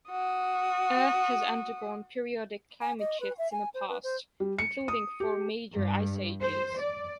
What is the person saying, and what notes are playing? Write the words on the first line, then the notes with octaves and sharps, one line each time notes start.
Earth has undergone periodic climate shifts in the past, including four major ice ages.
F#4 D#6
G#5
D#5
B4
E5
G#5
C5
B4
C5
G3
C#7
D#6
G4
G2
C5
D5